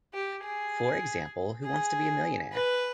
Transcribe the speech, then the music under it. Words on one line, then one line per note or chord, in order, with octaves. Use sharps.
For example, Who Wants to Be a Millionaire?
G4
G#4
G#4
B4